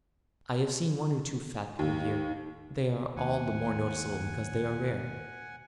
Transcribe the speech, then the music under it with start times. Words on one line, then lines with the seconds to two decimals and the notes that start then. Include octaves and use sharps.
I have seen one or two fat people here--they are all the more noticeable because they are rare.
1.79 D#2
3.16 D#2 F#5 G#5